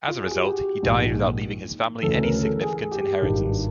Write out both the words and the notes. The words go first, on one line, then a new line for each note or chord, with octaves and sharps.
As a result, he died without leaving his family any significant inheritance.
F4
G#4
G4
F#4
G4
A#1 G#2 D#3
D2 C#3 E3 A4
A#4
A4
G#4
G4
G#1 G2 D#3